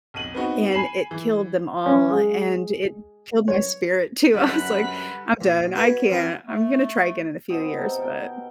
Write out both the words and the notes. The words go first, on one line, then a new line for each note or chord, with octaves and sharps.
and it killed them all and it killed my spirit too. I was like, "I'm done, I can't, I'm gonna try again in a few years," but
B1 F2 D#7 F#7
B3 C4 D#4 F#4 B4
G#5 B5 C7 E7 F#7
E3
C#4
G#3
C#5
F#2 D3 G3 B4 F#6 B6
A#2
F#4 B4 G#5
F3 C4 E4 A#4
A3
B2 C4 D#5
C3 A4 G5 A#5
B2 A#4 G5